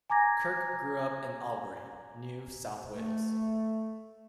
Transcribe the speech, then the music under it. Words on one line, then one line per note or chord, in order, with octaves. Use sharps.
Kirk grew up in Albury, New South Wales.
G#5 A#5 D6 G#6 A#6
A3